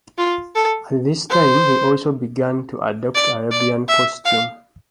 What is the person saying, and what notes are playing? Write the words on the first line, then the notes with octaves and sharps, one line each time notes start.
At this time he also began to adopt Arabian costume.
F4
A4
C5
D5
D5
E5
F5